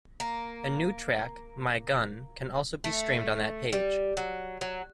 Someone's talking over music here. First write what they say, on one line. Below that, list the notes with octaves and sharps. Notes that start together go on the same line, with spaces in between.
A new track "My Gun" can also be streamed on that page.
A#3
A3
G3
F#3
F#3